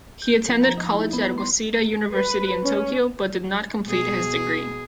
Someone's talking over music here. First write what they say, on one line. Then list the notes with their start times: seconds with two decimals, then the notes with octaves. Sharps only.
He attended college at Waseda University in Tokyo but did not complete his degree.
0.22 G6
0.49 F3
0.63 A#5
0.77 D#4
0.91 E4
1.13 B3
1.38 C6
2.13 B4
2.64 C#4
3.87 B2 G#4